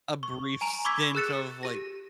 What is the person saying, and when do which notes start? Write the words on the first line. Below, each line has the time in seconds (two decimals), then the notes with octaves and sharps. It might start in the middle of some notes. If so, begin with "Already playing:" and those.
a brief stint of, like,
0.23 C#6
0.61 G#5 A#5 D7 F7
0.85 B5 C#6 D6 E6 G#6 B6
1.15 G#4 E6 F#6 A6 C#7 E7
1.63 G4 A#6